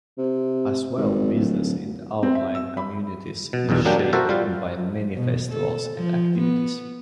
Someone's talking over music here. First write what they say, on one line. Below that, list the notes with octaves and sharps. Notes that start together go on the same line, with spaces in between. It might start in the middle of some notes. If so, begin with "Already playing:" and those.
As well, business in the outlying communities is shaped by many festivals and activities.
C3
G#1
D1
C4
E5
E6
B5
B2
B1 E2 G2 B2
F#3 G3 A#3 D4 G4 G5
B2
F#4 A4 A#4 C5 E5
G3 F4 F5
B2
A4
F3
B3